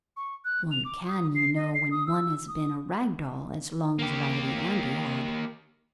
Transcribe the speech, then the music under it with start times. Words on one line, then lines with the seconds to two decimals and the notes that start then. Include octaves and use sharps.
One can, you know, when one has been a rag doll as long as Raggedy Andy had.
0.17 C#6
0.45 F#6
0.72 F7
0.85 D6
1.07 D#6
1.35 C7
1.55 D#5
1.74 C7
1.91 D#6
2.07 E6
2.48 D#6
3.99 A#3 G4